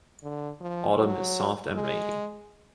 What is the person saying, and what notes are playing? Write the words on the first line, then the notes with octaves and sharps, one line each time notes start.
Autumn is soft and rainy.
D3
F3
F#3
G#3